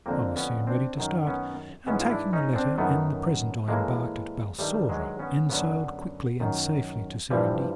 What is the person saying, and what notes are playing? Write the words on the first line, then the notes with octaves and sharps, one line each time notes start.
I was soon ready to start, and taking the letter and the present I embarked at Balsora, and sailed quickly and safely to Serendib.
F2 D3 A#3 C4
B3 C#4
C4 D4
F#2 D#3
B3 C#4
G#2 E3 B3 C#4
F4
D4 E4
C#4 D#4
C4 D4
F#2 D#3 A3 B3
A2 E3 G#3 A#3
G2 D#3 G3 A3
F#3 G#3
B3 C#4
F#2 D3 B3 C#4
F#2 D#3
G2 E3 F3 G3